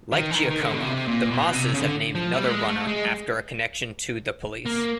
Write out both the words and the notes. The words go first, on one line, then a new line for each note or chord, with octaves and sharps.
Like Giacomo, the Mosses have named another runner after a connection to The Police.
D#3
E3
D#3
D#3
D3
B2
C3
A#2
B2
C3
C#3
D3
F3
G3
A3
G#3
A3
G#3
A#3